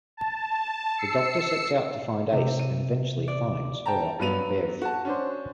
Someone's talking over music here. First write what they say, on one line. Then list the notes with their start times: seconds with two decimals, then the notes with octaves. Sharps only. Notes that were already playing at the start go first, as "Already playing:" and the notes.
The Doctor sets out to find Ace and eventually finds her and Bev.
0.17 A5
0.98 E6 C7 C#7
2.32 C3
2.59 D#7
3.28 D5
3.86 G5 A5 A#5
4.19 G2 F#3 B3 D#7 F7
4.82 F#4 A5
5.05 C#4 D4 C5